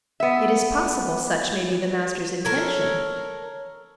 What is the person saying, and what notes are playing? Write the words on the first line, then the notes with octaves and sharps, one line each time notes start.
"It is possible such may be the master's intention."
B3 E5
A4 A#4 C#5